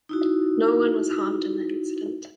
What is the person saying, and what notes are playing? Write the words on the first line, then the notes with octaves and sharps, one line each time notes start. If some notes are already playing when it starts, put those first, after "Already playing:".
No one was harmed in the incident.
D#4 E4 F#4